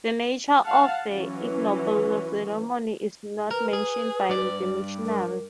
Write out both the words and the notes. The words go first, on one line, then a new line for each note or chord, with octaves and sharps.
The nature of the ignoble ceremony is not mentioned by the missionary.
F5 F#5 A5
E3 F#3 C#4
A#4 B4
G#4
G2 D5
A#4